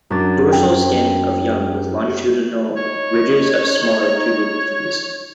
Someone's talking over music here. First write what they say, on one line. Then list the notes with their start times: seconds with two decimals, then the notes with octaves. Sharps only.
Dorsal skin of young with longitudinal ridges of small tubercles.
0.10 F#2 D4 A6
0.53 G5
2.77 D#4 C#5